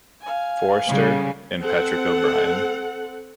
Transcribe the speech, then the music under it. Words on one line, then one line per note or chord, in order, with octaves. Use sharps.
Forester, and Patrick O'Brian.
F5 G#5
C#3 G3
C4 A4 F#5